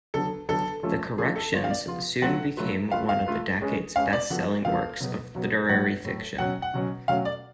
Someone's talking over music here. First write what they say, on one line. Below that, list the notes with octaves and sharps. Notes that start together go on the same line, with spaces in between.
"The Corrections" soon became one of the decade's best-selling works of literary fiction.
D3 F#3 B3 A4
D3 F#3 B3 A4
F3 A3 C#4 F4 A4
F3 A3 C#4 F4 G#4 A4
A4
F3 B3 F4 C#5
F5
D5
F3 B3 F4
F#3 A3 F4 B4 F#5
F#3 A3 F4 B4
A3 F4 B4 F5
F5
A3 F4 B4
G#3 C#4 G#4 B4
G#3 C#4 G#4 B4 F5
D5
F3 B3 F#4 A4
F3 B3 F#4 A4 F5
B2 F#3 B3
B2 F#3 B3
A2 F#3 A3 F#5
A2 F#3 A3
B2 F#3 C#4 F#5
F#5
B2 F#3 C#4
B2 F#3 A3 C#4 F#4 F5
D5